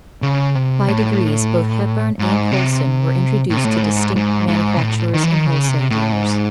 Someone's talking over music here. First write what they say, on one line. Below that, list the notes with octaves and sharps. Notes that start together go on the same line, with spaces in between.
By degrees both Hepburn and Coulson were introduced to distant manufacturers and wholesale dealers.
C#3
C3
A2
G#2
C3
A2
C3
A2
G#2
G#2
G#2
C3
A2
D#3
E3
D#3
C#3
C3
A2
G#2